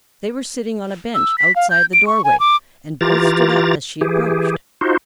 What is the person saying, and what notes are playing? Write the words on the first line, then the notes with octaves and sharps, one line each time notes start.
They were sitting on a bench outside the doorway and both stood up as she approached.
E6
B6
F5
G6
D7
C#6
G#5
D6
E3 F4 G4 A#5 A6
E3 G4 G#4
D#4 F4 F#4 C5